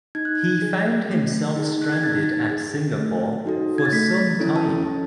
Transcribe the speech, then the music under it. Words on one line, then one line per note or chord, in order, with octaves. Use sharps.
He found himself stranded at Singapore for some time.
D#4 G#6
F#6
G#6
G#4
A3
D#4 G#4
F#6
G#6
D#4 A6
G#4
A3
D#4 F#4 A4
G#6
A6
A3 B6
C#4 E4 A4
A5
C#4